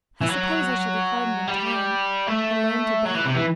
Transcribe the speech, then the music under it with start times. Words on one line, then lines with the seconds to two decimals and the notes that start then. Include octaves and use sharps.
I suppose I shall be hardened in time, and learn to bear it.
0.21 E3
0.29 F#3
1.48 G3
2.27 A3
3.05 F#3
3.15 E3
3.26 C3
3.35 E3